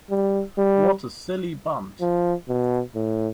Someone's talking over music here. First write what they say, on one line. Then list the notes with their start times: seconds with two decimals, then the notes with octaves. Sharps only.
What a silly bunt!
0.10 G3
0.58 G3
2.01 F3
2.48 B2
2.95 A2